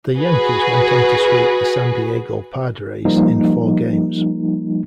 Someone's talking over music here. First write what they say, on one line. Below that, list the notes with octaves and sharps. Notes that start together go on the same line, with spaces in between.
The Yankees went on to sweep the San Diego Padres in four games.
F#4 G#4 B4
F3 G3 A#3 D#4